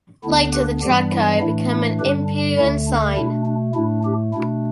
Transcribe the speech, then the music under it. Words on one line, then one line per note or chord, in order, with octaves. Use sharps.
Later, the "draco" became an imperial ensign.
D2 D3 B3 D4 E4
G4 B4
G2 E3 G3 B3 D4 G4
E4
A2 E3 A3 D4 E4
E4
G2 D3 G3 D4 G4 B4
D4
D2 D3 A3 E4
D4
B2 A3 D4 E4
D4
A2 A3 D4 E4
D4 G4
B2 A3 D4 E4